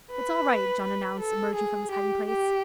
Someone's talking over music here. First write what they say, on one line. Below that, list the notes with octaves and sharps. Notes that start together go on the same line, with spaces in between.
"It's all right," John announced, emerging from his hiding-place.
B4
B4
A4
G#4
G4
G4